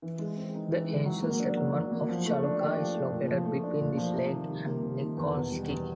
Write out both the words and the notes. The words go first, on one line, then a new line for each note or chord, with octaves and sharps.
The ancient settlement of Chaluka is located between this lake and Nikolski.
E3
G#3
C4
D#4
E3
G#3
F#3
A#3
D4
F#3
F#3
A#3
F3
A3
D4
G4
F3
A3
A#2
F3
A3
D4
A#2
F3
C3
D#3
G3
A#3
C3
D#3
E2
B2
G3
E2